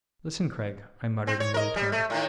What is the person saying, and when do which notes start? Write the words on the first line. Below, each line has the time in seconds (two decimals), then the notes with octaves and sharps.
"Listen, Craig," I muttered, in low tones.
1.27 C4
1.40 C#5
1.54 A#4 D#5
1.76 G3
1.92 A3
2.10 A2 D#3